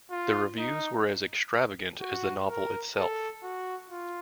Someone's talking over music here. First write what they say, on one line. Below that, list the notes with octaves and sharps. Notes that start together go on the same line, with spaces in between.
The reviews were as extravagant as the novel itself.
F4
D#4
F#4
A#4
A4
F#4
F4